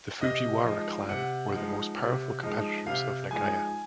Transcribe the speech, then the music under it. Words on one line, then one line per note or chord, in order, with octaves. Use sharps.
The Fujiwara clan were the most powerful competitors of Nagaya.
C3 D#5
F3 G#3 D#4
C3 F#5
F3 G#3 D#4
C3
F3 G#3 D#4
C3 F5
F3 G#3 D#4 G#5